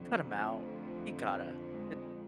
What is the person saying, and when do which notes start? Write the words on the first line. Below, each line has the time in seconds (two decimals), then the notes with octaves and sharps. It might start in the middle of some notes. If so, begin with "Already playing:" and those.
cut 'em out. You gotta. It
Already playing: F2 D3 F3
0.11 A3
1.71 G#3